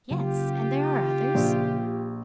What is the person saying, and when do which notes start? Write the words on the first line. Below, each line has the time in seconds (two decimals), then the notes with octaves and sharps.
"Yes, and there are others."
0.11 C#3 F#3 A#3 F4 G4
1.35 A#1